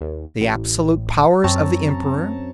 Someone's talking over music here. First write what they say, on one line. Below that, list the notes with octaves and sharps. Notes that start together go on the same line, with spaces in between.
The absolute powers of the Emperor.
D#2
A1
F#2 C4 C#5 A5 A#5